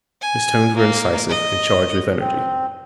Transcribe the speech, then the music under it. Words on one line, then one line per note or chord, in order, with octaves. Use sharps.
His tones were incisive and charged with energy.
G#5
A#3
D#5
C4